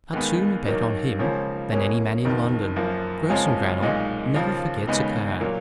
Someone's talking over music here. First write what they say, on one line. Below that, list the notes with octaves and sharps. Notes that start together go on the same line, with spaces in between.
I'd sooner bet on him than any man in London. Grossengrannel never forgets a card.
D#2 D#3 G#3 B3 D#4
D#2 D#3 F#3 A#3 D#4
C#2 C#3 F3 A#3 C#4
B1 B2 A#3 C#4
F#1 F2 D#3
F#2 F3 A#3
F#1 F2 F3 G#3 C#4
B1 A#2 G#3 D#4
D#2 C#3 F3
D#2 C#3 G#3 B3 D#4
A#2 F#3 A#3